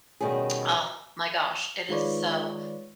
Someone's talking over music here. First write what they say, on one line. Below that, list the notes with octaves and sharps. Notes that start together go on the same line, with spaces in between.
Oh my gosh, it is so,
B2 D#3 G3 C#4 G#4
D#3 G#3 F4 B4 C#5 D5